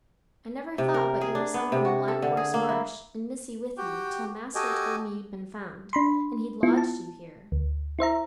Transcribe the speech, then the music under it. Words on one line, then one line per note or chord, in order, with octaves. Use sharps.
I never thought but you were sunk in the Blackhorse marsh, and missy with you, till master told me you'd been found, and he'd lodged you here!
C3
A#4
G#4
D4
B3
C3
F#4
A4
D3
G#4
A#3
E4
F#4 G4 G5
F#4 G4 A4 D#5 G5 G#5
D4 B5 C6
B3 E4 F4
A5
D2
E4 C5 E5 A#5